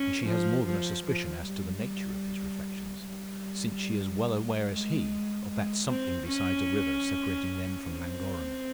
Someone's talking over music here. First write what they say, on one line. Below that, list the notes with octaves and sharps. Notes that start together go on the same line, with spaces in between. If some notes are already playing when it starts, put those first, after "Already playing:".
And she has more than a suspicion as to the nature of his reflections; since she is well aware as he of that something besides a river separating them from Llangorren.
Already playing: C#4
F3
F3
F3
G3
G3
G#3
G#3
C4
C#4
C4